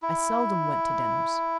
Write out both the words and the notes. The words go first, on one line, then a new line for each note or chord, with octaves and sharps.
I seldom went to dinners.
E4